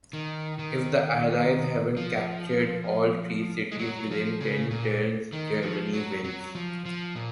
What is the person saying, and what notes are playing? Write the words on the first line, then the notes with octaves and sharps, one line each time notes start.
If the allies haven't captured all three cities within ten turns, Germany wins.
D#3
D#3
F3
G#3
F#3
F3
C#3
A#2
D#3
F3
F#3
F#3
F3
F3
A#2